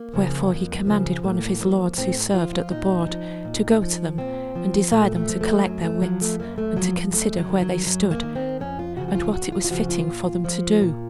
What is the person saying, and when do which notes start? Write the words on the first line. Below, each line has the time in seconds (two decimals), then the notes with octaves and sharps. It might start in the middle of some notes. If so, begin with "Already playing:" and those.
Wherefore he commanded one of his lords, who served at the board, to go to them and desire them to collect their wits, and to consider where they stood, and what it was fitting for them to do.
Already playing: A#3
0.14 C#3 F3
0.50 F2
0.87 C#3 F3
1.23 A2 A#3
1.60 F3
1.98 A2 C4
2.34 F3 F4
2.53 F4
2.71 A#2 D#4
3.08 F3
3.45 A#2
3.82 F3
4.18 A#2 C4
4.55 F3
4.92 A#2 A3
5.16 A3
5.29 F3
5.41 A3
5.65 F#2 F#3
5.84 A3
6.02 F3 F#3
6.21 A3
6.40 F#2 A#3
6.58 A3
6.77 F3 F#3
7.13 F#2 A3
7.38 F#3
7.49 D#3
7.62 F#3
7.86 F#2 F#3
8.11 A#3
8.23 D#3
8.35 C4
8.60 F2 C#4
8.79 F4
8.97 C#3 F3 F#4
9.08 F#4
9.15 F4
9.34 F2 F#4
9.52 F4
9.65 F4
9.71 C#3 F3 F#4
9.89 F4
10.08 A#2
10.44 F3
10.81 A#2